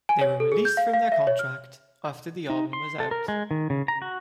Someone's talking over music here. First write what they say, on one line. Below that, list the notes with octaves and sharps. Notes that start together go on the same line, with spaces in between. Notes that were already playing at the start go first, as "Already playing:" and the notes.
They were released from their contract after the album was out.
G#5
C#5
A4
G#4
G6
F5
F5
E5
C#5
F6
D#4
C6
A4
A#4
G#3
D#3
C#3
A#5
F#4